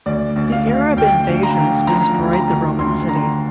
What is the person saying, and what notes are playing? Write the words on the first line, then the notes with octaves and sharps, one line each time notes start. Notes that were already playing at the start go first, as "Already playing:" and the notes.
The Arab invasions destroyed the Roman city.
D2 D5
D2
F5
D2
D2 G5
D2
A#5
D3
F3 A#5
D2
A#5
D2
D2 C6
D3 A#5